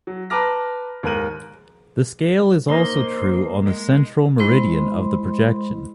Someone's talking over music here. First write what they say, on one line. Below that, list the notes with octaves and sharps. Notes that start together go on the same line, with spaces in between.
The scale is also true on the central meridian of the projection.
F#3
B4 A5 A#5 D6 F6 A#6
D#2 G#2 A#4 F#6 D#7 F#7
A#3 D#4 C5 C6
G#3
G#3 E4 C5 D#5 B5 C6